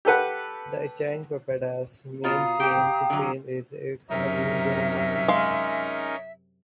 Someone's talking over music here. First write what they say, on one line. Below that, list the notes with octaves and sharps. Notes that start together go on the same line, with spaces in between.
The Ichang papeda's main claim to fame is its unusual hardiness.
G4 A4 B4 F#5
B2 F4 C#5 F5 A#5 D#6
G4 G5
D3 F#3
F#2 C3 C#4 D#4 A#4 E5
G#3 F5